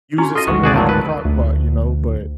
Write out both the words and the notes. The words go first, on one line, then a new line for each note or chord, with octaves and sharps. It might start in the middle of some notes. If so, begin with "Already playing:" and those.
use it something like a crock pot, you know, but
C#4 E4 F#4
F4 A4 D#5
G#1 D2 G#2 F#4 B4
C3 F#4 G#4 D5
A#2 F3 F#3 A3 A5
A#4 B4
D2